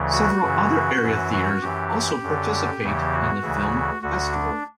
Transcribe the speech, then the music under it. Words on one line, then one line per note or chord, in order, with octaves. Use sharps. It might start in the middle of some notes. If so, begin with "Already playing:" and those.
Several other area theaters also participate in the film festival.
Already playing: D2 C#3 E3
F#4
F#2 C#3 E3
F#2 E3
F#4
F#2 E3 G4
F#2 D3
G4
E2 C#3 E3
F#4
D2 C#3 E3
D2 D3 F#4
D4